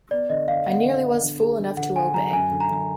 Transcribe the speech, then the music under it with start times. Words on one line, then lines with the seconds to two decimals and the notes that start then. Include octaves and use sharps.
I nearly was fool enough to obey.
0.11 B3 D5
0.30 D3 D#5
0.48 D3 F5
0.67 B3 F#5
0.85 D3
1.03 B3
1.23 D3
1.40 G#4
1.58 D3
1.77 D3 F#5
1.96 D3 G#5
2.14 F#3 A#5
2.33 F#2 G#5
2.51 D3
2.60 A#5
2.69 D3